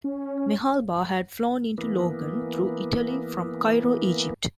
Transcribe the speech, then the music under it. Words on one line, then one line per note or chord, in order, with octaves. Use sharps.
Mehalba had flown into Logan through Italy from Cairo, Egypt.
C#4
E3 A#3 B3